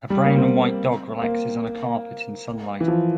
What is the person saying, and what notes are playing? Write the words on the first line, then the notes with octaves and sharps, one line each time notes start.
A brown and white dog relaxes on a carpet in sunlight.
G3
A#3
C4
A#3
E3
F3